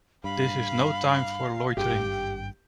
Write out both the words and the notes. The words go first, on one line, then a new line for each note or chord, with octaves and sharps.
This is no time for loitering.
G2 F5 B5
G#1 G2 G4 G5